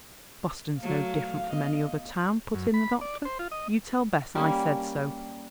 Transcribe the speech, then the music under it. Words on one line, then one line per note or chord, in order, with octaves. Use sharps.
Boston's no different from any other town," put in the doctor. "You tell Bess I said so.
F#3 A3 F5
B3 D#5
F#2
B5
D5
C5
F4
D#5
G3 A#3 C#4